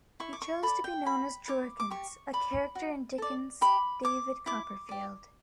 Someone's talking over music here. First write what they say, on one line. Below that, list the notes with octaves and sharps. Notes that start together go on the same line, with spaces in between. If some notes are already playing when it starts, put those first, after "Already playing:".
He chose to be known as "Jorkins", a character in Dickens' "David Copperfield".
E4 C#6
D6
C#6
A4 D5 B5
G5
F#4 B5
C#5 D6
D6
G4 C#6
D5 B5
F#4
A4 D5
G4 B5
C#5 D6
E4 D6
G4 D5